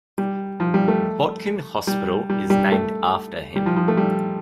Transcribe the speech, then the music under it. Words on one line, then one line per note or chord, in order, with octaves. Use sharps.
Botkin Hospital is named after him.
G3
F3
G3
A3
G3
G3
G3
A3
G3
F3
F3
A3
G3